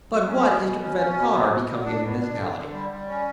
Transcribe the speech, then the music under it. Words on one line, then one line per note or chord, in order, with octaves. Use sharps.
"But what is to prevent our becoming a municipality?"
F#3
C#4
B2
B2
C#4
C#4
B2
F#3
B2
F#3
D4
B2
D4
D3
D3
G3
G3
C#4